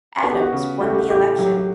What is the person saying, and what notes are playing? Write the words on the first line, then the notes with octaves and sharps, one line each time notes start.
Adams won the election.
B3 F#4
G4
F#4
C#3
A3 F#4
G4
F#4
A2 G4
F#3 G4
G4